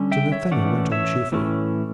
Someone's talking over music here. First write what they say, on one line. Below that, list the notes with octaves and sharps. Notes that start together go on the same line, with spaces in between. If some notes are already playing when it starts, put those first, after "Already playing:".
Sir Nathaniel went on cheerfully.
Already playing: D3 G3 C#4
E5 G5
C#5 E5
A2 E3 A3 C#4 D5 F#5
C#5 E5
A2 E3 A3 C#4